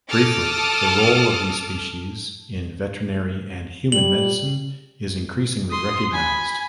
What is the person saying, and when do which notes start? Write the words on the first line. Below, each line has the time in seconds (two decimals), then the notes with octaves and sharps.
Briefly, the role of these species in veterinary and human medicine is increasingly recognised.
0.10 A4 A5 D6 D#6 F6
3.92 G3 F#7
5.71 C6 D#6
6.12 G#5 B5